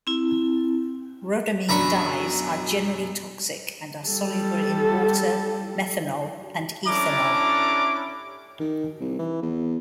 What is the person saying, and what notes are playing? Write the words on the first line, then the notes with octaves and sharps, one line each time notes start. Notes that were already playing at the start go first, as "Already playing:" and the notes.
Rhodamine dyes are generally toxic, and are soluble in water, methanol and ethanol.
C4 E4
F#2 B2 D4 A#5 B5 C#6
G3 A4
C#4 D4 E4 A4 A#5 D6
D#3
C2
E3
E2